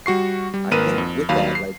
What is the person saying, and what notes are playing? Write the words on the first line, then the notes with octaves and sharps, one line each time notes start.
I think with that, like,
G3 F#4 C#6 C7
G3
G#1 A#3 A#4 B4 D#7 E7
F2
D#2 F#3 F5 B5
C7